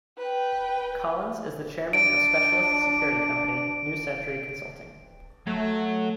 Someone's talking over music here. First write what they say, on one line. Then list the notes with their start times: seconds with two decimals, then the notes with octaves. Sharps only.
Collins is the Chairman of specialist security company, New Century Consulting.
0.18 B4 G5
1.93 D4 D7
5.47 F#3 A3